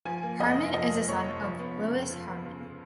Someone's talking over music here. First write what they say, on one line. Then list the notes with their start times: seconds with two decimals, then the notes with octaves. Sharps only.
Harman is the son of Willis Harman.
0.05 F3 G#5
0.23 A#3
0.39 F2 D#5
0.57 F1
0.74 F3 D#5
0.91 A#3
1.08 F2 C#5
1.25 F1
1.42 F3
1.59 B3
1.77 C#3
1.93 F2
2.10 F3
2.28 B3
2.45 C#3